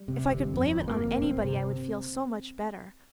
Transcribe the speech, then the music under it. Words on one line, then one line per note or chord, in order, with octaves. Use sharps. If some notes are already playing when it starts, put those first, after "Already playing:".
If I could blame it on anybody I would feel so much better.
Already playing: G3
C3
G1
F2
G1
A#3
G1
G1 C4
C3